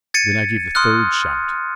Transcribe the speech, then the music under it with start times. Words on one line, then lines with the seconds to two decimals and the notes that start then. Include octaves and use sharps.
Then I gave the third shout.
0.14 G#6 A6 C#7 D#7
0.75 C6 D#6 F6 F#6